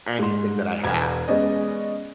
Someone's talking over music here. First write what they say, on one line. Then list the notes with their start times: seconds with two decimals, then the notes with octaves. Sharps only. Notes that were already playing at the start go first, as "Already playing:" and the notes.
anything that I have.
0.19 G#2 C6
0.84 E1 G#6
1.28 G#3 B3 C#4 D5 D#5